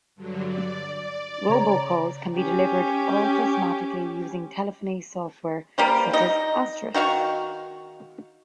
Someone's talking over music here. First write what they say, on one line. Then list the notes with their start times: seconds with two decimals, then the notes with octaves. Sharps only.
Robocalls can be delivered autosmatically using telephony software, such as Asterisk.
0.16 G2 D3 F#3
0.47 D5
1.49 C#3 C#5 A#5
2.35 C#4 G4
5.78 F3 G3 A#3
6.13 D#4 D#5
6.94 D#3 F#4 F5 C#6